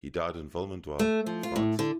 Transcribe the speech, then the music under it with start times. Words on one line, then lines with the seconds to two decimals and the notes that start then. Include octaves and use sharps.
He died in Valmondois, France.
0.99 A3
1.26 F3
1.43 F4
1.56 A2
1.79 D3